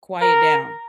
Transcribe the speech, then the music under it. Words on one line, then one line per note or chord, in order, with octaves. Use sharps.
Quiet down.
A#4